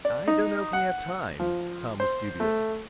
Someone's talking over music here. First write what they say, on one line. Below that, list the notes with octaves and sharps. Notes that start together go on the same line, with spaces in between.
"I don't know if we have time." Tom was dubious.
D5
D#4
F#5
F3
C5
A3